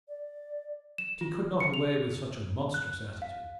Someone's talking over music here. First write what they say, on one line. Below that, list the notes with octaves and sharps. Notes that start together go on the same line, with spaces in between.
But he could not away with such a monstrous attitude.
D5
E7
F4
C#7
F7
F#6
F5